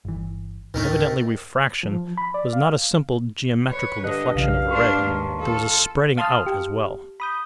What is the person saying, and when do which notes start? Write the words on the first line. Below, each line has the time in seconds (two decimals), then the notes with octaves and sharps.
Evidently refraction was not a simple geometrical deflection of a ray, there was a spreading out as well.
0.05 G1 E3
0.74 D1 A2 D#3 A3 D4 D#4
1.83 F3
2.18 B5
2.34 D5
2.53 F5
3.70 B4 C#5
4.04 G2 D3 D#5 F#6
4.35 B1 C#3 F3 F5
4.71 D4 C5 A5 C6 C#6
5.02 D#2 G#2
5.40 F4 A4
6.17 F5 A5 C6 D#6 F6
6.46 G4
7.20 B5 D#6 G6